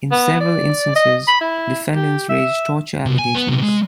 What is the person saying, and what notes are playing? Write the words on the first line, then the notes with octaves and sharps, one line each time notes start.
In several instances defendants raised torture allegations.
B3
D5
D#5
B5
E4
G4
E5
C2
G#5
B3
C3 B3
G#3